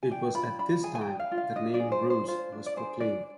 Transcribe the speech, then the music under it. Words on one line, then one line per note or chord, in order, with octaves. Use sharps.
It was at this time the name Ruse was proclaimed.
G#5
D4 G5
F4 B5
D4 B5
G#4 G#5
G#5
G5
D4
F5
F4
F5
D4 D#5
D5
G#4
C5
D4
C5
F4 C5
D4
D5
G#4 C5
D4 D5